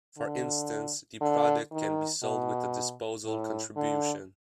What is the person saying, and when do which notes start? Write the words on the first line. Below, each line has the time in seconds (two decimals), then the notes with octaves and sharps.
For instance the product can be sold with a disposal contribution.
0.18 D3
1.21 D3
1.72 D#3
2.23 B2
3.25 A2
3.76 D3